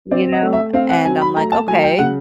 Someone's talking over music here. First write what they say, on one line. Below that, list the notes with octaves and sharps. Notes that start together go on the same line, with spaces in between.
You know, and I'm like, "Okay,
C4 D5
D#5
A3
E5
C4 F5
F#5
F#3 G#5
B5
A3 A#5
A5
F#3 G#5
G5
C#3 F#5